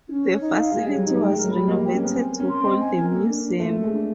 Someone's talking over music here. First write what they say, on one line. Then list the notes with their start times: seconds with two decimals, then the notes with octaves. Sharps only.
The facility was renovated to hold the museum.
0.08 C#4
0.24 C#5
0.40 D#4
0.56 F5
0.72 G#3 G#4
0.84 G3
0.88 C#5
0.96 F#3
1.04 G3 D#4
1.19 A3 G5
1.32 G#3
1.35 A#4
1.44 F#3
1.51 G3 B5
1.67 A#3 D#5
1.84 G5
1.92 C#4
2.00 B3 A#4
2.15 C4 G#5
2.32 A#4
2.40 C#4
2.48 C6
2.63 C4 D#5
2.79 G#5
2.96 A#4
3.12 A#3 A4
3.28 D4
3.44 D4
3.59 A3 F4
3.76 A4
3.84 G#3
3.91 D4